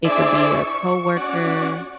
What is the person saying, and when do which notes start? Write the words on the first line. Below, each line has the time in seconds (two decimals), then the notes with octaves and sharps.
It could be a coworker,
0.05 D4 E4 G#4 C5 D5 E5
0.49 C#6
1.17 C#4 F#4 D5